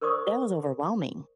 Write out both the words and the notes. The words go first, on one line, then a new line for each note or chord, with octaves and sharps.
that was overwhelming.
A#4 C5 D5 C#6 D#6